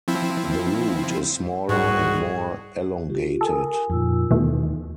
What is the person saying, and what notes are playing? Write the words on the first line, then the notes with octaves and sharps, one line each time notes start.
The root is smaller and more elongated.
F3 C4 E4
C2 G#2 G3 F#4 G#4
F4 G4
A4 A#4 G#5 D#6
F2 A#2 D#4 F4 E6
D#2 B2 E3 A3 D#4